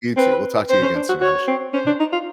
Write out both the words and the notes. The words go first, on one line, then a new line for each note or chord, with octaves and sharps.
You too. We'll talk to you again soon, I'm sure.
C4 B4
C4 C5
C#4
D4
F#4
F#4 C#5
C4
C#4 C5
D4
D#4
F4